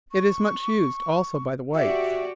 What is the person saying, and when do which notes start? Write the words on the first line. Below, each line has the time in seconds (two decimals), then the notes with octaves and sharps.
It is much used also by the whites.
0.12 C#6
1.75 F#4 G4 D5 E5